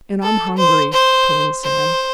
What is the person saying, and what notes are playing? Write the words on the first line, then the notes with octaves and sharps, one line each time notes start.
"And I'm hungry," put in Sam.
A4
C5
C5
C5